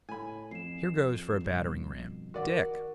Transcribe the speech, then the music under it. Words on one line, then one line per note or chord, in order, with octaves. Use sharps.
Here goes for a battering-ram, Dick!'
A2 G#5 B5
F2 C7 E7
G2 B2
D#3 F#4 A#4 D5 F#5